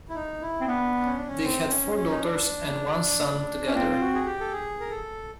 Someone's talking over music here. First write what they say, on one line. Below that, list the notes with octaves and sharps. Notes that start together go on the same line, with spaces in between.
They had four daughters and one son together.
E4
D#4
E4
C4
B3 D4
C#4
D4
C#4
C4
C#4
C#4
D#4
D4
C#4
C4 F4
F4
F#4
G#4
G4
A4
G#4
A#4
A4